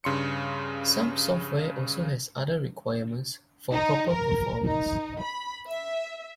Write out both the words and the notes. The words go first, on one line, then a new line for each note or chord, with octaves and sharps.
Some software also has other requirements for proper performance.
G2 C#3 C6 C#7
D#4
A#4
D#4
B5
E5